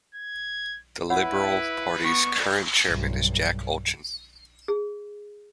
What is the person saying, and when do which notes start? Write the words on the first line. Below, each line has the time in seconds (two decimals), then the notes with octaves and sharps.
The Liberal Party's current chairman is Jack Olchin.
0.15 G#6
1.10 E4 B4 C#5 F#5 B5
2.04 B3 C#6
2.88 B1 G2
4.68 G#4